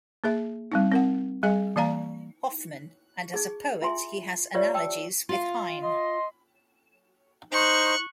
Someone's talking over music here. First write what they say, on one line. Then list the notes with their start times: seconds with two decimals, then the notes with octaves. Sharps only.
Hoffmann, and as a poet he has analogies with Heine.
0.24 A#3 G#4 E5
0.72 G3 C4 D#4
0.92 C4 A#4 F#5
1.43 G3 G#4 D#5 G#5
1.76 E3 A#3 D5 F5 A#5
3.34 D#4 G#4
3.82 F4 E5 G#5 C6
4.54 F4 G4 B4 C#5 D5 E5
4.74 G5 A5 E6
5.29 F4 F5
5.82 D#5 C6
7.53 D#4 C5 C#6 F#6